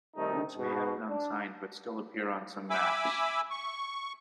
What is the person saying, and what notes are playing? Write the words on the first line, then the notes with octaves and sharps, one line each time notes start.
Routes may have been unsigned, but still appeared on some maps.
C3 D#3 G3 A3 D#4 A4
G#2 B2
D4
E5 G#5 B5 D6 E6
C#6